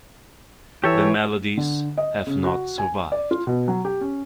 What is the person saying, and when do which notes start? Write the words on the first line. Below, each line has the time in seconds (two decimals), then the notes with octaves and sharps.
The melodies have not survived.
0.84 E3 G4 A4 C#5 E5
1.57 D3
1.98 D#5
2.27 C#3
2.44 F#4
2.78 G#5
3.12 D5
3.31 F4
3.47 B2
3.68 F#3
3.85 G4
4.01 C#4